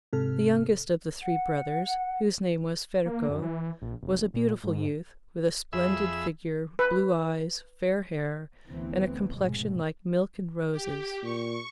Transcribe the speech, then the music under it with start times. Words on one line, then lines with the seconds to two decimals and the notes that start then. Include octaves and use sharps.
The youngest of the three brothers, whose name was Ferko, was a beautiful youth, with a splendid figure, blue eyes, fair hair, and a complexion like milk and roses.
0.13 G#2 C3 A4 F6
1.20 F#5
3.06 A#3
3.29 F#2
3.42 E3
3.82 A#1
4.02 F1
4.34 A#2
4.64 G#2
5.73 F2 G#4 E5 B5 E6
6.79 B4
8.70 A1 D2 E3 A3 B3 C4
9.34 F1 D#2 G#2 B2 F#3 G#3
10.72 G4
11.23 A#2 C#6